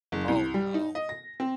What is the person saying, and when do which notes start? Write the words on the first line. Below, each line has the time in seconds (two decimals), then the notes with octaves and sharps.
Oh, no.
0.12 F#1
0.28 C2
0.54 G3
0.74 D#4
0.95 D#5
1.09 A#6
1.40 C4